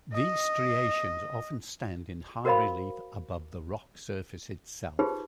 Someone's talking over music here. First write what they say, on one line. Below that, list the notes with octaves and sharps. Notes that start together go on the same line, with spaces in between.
These striations often stand in high relief above the rock surface itself.
D#5
F#4 A#4 C5 D#5 F5 B5
D#4 F4 G4 G#4 B4 C5